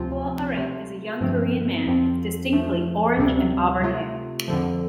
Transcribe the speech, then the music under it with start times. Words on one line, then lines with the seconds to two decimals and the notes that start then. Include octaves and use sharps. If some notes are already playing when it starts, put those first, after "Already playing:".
Hwoarang is a young Korean man with distinctly orange and auburn hair.
Already playing: D2 C3 F3 C4 F4
0.56 C3 A3 F4
1.21 G2 D3 F3 A3 C4
1.86 F2 F3 C4 F4
2.51 F2 F3 A3
3.17 D2 C3 G3 C4
3.82 C3 A3 F4
4.48 F2 D3 F3